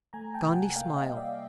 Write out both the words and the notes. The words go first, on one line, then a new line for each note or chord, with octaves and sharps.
Gondy smiled.
A3 G#5 A#5
G5 A5
C3
F#5 G#5
A#3 F5 G5
D#5 F5
G3
D5 E5